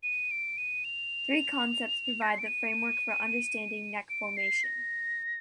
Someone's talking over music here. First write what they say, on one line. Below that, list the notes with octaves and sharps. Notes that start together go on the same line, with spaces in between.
Three concepts provide the framework for understanding neck formation.
D#7
D7
D#7
F7
A#6
C7
D7
D#7
D7
C7
A#6